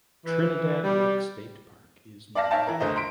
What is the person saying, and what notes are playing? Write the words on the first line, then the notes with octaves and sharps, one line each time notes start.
Trinidad Lake State Park is nearby.
E3
G3
D5 E5 F5 A5 A#6
D#4 C#5 E5 F5 G5 A5
E3 A#4
F#1 D2 A3 A#4 C5 D#5
A#5 C6 B6 D7